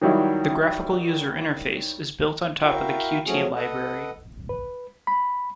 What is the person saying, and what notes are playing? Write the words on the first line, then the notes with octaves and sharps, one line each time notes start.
The graphical user interface is built on top of the Qt library.
D#3 F#3 G3 D#4 E4
E4 F#4 A#4 E5 F5 G5
F3 F#3 A3 C#4 F#4 G#4
A4 B4 D#5 F#5
B4
B5